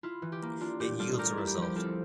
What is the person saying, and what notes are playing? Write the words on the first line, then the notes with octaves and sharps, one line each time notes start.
It yields a result.
E4 F4
E3
G4
A#3
D4 F4
A#2 G4
G3 F4 A4
A3 G4 A#4
E4
G4
F3 G4
C4 F4 A4